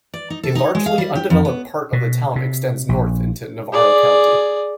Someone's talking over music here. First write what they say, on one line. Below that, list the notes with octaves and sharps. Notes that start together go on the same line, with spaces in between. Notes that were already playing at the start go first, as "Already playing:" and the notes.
A largely undeveloped part of the town extends north into Navarro County.
D5
D#4
A4
D#4
G#3
F5
G3
G4
F2
B3
B2
C3
A#1
G#4 D5